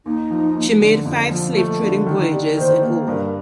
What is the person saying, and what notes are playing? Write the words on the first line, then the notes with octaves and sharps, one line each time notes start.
She made five slave trading voyages in all.
D#2 D#4
F3
D#2
D3
F2
F3
A3
D3
D#3 D4
D#4
D4 G4
A#4
D#3 C5
A#3
G2 A#4